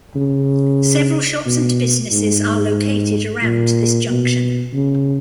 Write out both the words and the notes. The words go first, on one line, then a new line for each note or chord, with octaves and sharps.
Several shops and businesses are located around this junction.
C#3
B2
G#2
A#2
B2
C#3